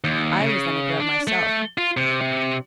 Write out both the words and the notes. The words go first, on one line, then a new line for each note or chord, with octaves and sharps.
I was then a Grub myself.
D#2
C#3
D4
A3
F4
C3
C3